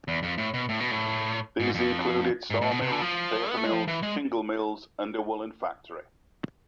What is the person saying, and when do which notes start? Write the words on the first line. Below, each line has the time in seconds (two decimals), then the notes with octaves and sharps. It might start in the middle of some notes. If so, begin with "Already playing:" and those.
These included saw mills, paper mills, shingle mills, and a woolen factory.
0.08 E2
0.23 F2
0.38 A2
0.54 B2
0.69 A2
0.80 B2
0.91 A2
1.60 G#2
1.75 F2
2.50 G#2
2.61 A2
2.71 B2
2.82 C3
2.92 D3
3.01 F3
3.50 B3
3.57 A3
3.64 G#3
3.72 F3
3.88 E3
4.03 G#3